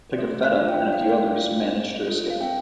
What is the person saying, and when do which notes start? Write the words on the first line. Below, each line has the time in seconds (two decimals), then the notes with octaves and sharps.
Pigafetta and a few others managed to escape.
0.13 D5
0.18 A3 C5 E5
0.43 D5 F5
0.56 D4 F4
0.68 E5 G5
0.93 A3 F5
1.01 G5
1.09 D5 F5
1.29 D4
1.35 F4
1.67 C4
2.03 F4 A4
2.30 F5
2.41 C4 E5 G5